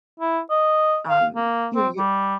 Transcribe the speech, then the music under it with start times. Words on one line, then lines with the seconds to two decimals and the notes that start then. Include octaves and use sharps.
um, you you
0.20 E4
0.50 D#5
1.09 F5
1.36 A#3
1.75 C4
1.97 G3